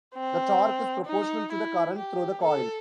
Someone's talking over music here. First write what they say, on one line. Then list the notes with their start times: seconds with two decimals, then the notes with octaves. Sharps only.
The torque is proportional to the current through the coil.
0.14 C4
1.06 D#4
1.52 E4
1.98 G4
2.43 A4